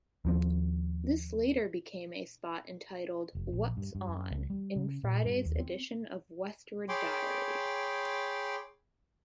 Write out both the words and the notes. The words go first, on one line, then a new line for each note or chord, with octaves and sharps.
This later became a spot entitled "What's On", in Friday's edition of "Westward Diary".
D#2 F3 C4
F1
A#1
G2
G2
F#2
C#2
G3
C#3
A#2
G2
D#2
C4
G#4 C#5 G5 B5 C6 D6